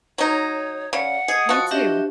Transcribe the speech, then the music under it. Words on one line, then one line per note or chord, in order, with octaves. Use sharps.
You, too.
F#3 D#4 C#5
C#3 D5 F#5
G#4 D#5 D#6
F3 F#4
D4 G4 D#5 E5